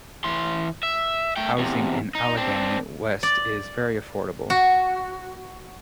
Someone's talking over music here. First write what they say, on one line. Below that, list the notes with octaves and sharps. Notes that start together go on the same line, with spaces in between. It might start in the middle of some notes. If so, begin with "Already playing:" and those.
Housing in Allegheny West is very affordable.
E3 C6
E5
A3 G5
E2 C3
D#4
C4 D4
D5
F#4